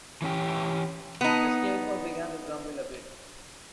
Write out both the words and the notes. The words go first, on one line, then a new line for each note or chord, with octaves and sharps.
The Scarecrow began to grumble a bit.
E3 C#4 G4
B3 D#4